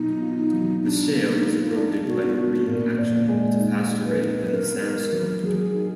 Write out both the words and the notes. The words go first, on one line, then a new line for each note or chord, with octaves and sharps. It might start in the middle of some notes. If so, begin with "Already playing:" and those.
The shale is eroded by marine action at a faster rate than the sandstone.
Already playing: B2 F#3 D#4 F4
F4
F#3
B2 D4
A#3
D#4
F4
D4 D#4
B2 F#4
F4
D4 F#4
A#2 A#4
A#2 D5
G#3
D#4
D#4
B4
D#4
B3 A#4
D#4
F#3
F#3 G#4
D#4